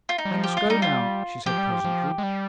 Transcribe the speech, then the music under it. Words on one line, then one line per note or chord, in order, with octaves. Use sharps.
'I must go now,' she said presently.
F4
D#4
G3
F3
G4
F4
G#3
G3 D#4
F4
F3 G4
G3
F3
F3
G#3
G3